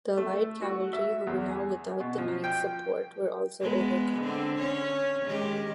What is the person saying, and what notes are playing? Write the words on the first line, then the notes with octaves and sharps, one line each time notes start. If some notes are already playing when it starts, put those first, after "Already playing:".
The light cavalry, who were now without the knights' support, were also overcome.
A3
F#4
E5
E2
G#4
B2
F3
G5
G#3 B3
D3 C4
C#4 C#5
D#3 G#3 G4